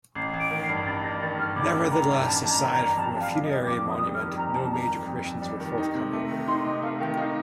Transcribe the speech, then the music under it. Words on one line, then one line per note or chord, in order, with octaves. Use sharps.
Nevertheless, aside from a funerary monument, no major commissions were forthcoming.
A1 C7
A1
D7
D#3
C7
G2
A1 A6
A1 A#6
D#3 A6
G2 F6
A1 D6
A1
D#3 A#5
G2
A1 A5
A1
A#5
D#3
A#5
G2
F2 A5
F2
F5
G3
D#5
D#3
F2 D6
F2
D#6
G3
F6
D#3
F2 A#5
F2 A5
G3 A#5
D#3
F2
F2
G3
D#3
D#4
C3
A3
D#3
D#4 C6
C3 D#5
A3 F5
D#3 G5
D#4 F5